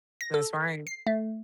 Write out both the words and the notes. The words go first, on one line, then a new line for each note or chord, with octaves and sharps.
That's right.
A#6
A4
C7
A3